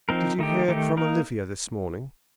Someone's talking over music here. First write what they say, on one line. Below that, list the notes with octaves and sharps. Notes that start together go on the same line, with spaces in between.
"Did you hear from Olivia this morning?"
F3 C4 D#4 A#4
D#3 A3 D#4 G4
D#3 A3 D#4 G4
A#3 D#4 A#4